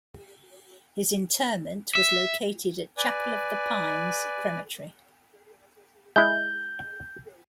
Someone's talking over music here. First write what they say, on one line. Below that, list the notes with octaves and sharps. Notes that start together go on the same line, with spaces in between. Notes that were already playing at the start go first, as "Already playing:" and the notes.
His interment was located at Chapel of the Pines Crematory.
E5
B4 D5 G#5
G#3 E4 G6